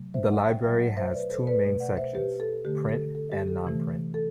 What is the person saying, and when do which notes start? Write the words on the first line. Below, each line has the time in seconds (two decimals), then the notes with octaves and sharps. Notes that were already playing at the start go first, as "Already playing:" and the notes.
The library has two main sections, print and non-print.
Already playing: C3 F#3 A3
0.14 C5 E5
0.31 D5 F#5
0.47 E5 G5
0.64 B2 F#3 A3 E5 G5
0.80 D5 F#5
0.97 C5 E5
1.14 B4 D5
1.30 A4 C5
1.47 B4 D5
1.64 B2 A3
1.80 D5 F#5
1.97 C5 E5
2.14 G4 B4
2.40 A4
2.65 D3 A3 G4
2.89 A4
3.15 A4
3.32 G4
3.48 A4
3.64 C3 E3 A3
4.14 A4